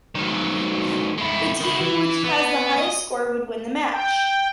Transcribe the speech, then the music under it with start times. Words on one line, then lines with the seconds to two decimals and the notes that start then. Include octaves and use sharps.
The team which has the highest score would win the match.
0.15 D#3 F#3
1.18 G#3 E4
1.61 D#3 E4
1.80 E3
2.24 B3
2.78 D#5
3.91 G5